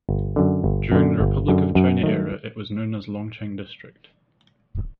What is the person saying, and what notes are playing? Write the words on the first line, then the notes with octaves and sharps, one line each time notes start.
During the Republic of China era it was known as Longcheng District.
G1
F#2 D3
G1
F#2 D3
G1
F#2 D3
F#2
D#3 F#3 A3